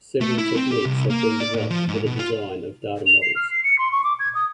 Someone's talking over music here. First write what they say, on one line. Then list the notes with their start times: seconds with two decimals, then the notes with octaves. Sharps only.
Several techniques have been developed for the design of data models.
0.21 A3
0.38 E4
0.56 C4
0.71 G4
0.86 C2
1.10 A#3
1.40 D5
1.54 A2
1.70 F3
1.88 G#2
2.06 B2
2.19 F4
3.06 F7
3.22 C7
3.36 F6
3.51 C7
3.64 C#7
3.79 C6
3.92 C#6
4.04 D6
4.20 G#6
4.35 D#6